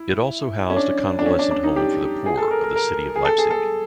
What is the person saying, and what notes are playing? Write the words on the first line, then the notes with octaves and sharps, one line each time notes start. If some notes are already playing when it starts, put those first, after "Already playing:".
It also housed a convalescent home for the poor of the city of Leipzig.
Already playing: E4
C#4
D4
D4
C#4
D4
D4
D#4
G4
G#4
A4
A#4
A#4
A#4
G#4
A4
G#4
A4